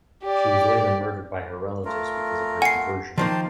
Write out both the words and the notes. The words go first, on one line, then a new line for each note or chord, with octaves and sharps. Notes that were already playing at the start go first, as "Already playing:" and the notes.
She was later murdered by her relatives because of her conversion.
G4 D5
A3 F4 A#4
F#5 G#5 C7
D#3 F3 A#3 G5 A5 C6